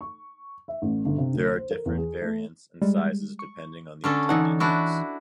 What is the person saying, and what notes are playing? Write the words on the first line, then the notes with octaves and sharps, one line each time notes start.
There are different variants and sizes depending on the intended use.
C#6
E5
A1
G1
C3
D2
C5
A#4
E2
G#4
A3
G3 G#3
C#6
D3 C#4 A4
E3 D#4 F#5 A5 E6
D4 E4 F#4